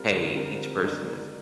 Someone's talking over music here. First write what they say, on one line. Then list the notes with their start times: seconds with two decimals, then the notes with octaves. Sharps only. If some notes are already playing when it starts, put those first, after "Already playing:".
hey, each person is
Already playing: G3 C4 F4 A#4
0.11 D3
0.35 F3 G3 C4 F4 A#4
0.76 D3
0.82 D#3 G#3 D#4 A#4 D5